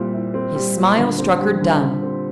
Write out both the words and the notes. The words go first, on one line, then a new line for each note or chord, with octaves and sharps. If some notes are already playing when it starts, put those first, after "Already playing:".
His smile struck her dumb.
Already playing: A#2 G3 C4 E4
E4
C4
G3
A#2
D3
C4
G3
D3
D3
C4